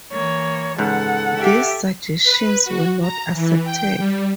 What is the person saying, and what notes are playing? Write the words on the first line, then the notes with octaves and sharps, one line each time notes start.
These suggestions were not accepted.
E3 A#3 C#5
C#2 G#2 A4 F#5
G4 E5
B4
F#4
A#5
E3
G5
G3